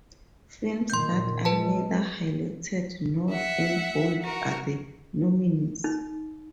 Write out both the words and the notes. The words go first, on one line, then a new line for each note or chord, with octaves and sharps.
Films that are neither highlighted nor in bold are the nominees.
A#2 D#3 C6 G6
G#3 B4 A5
E5 F#5
F#4 A#4
D#4